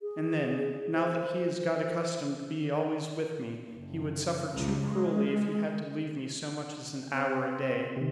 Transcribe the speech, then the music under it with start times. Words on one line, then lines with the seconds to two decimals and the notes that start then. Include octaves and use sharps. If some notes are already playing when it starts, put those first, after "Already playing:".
And then, now that he has got accustomed to be always with me, he would suffer too cruelly if he had to leave me so much as an hour a day.
0.01 G#4
0.93 C5
3.72 F#1
4.53 C#2
4.87 G#3
7.11 C4
7.96 C3 D#3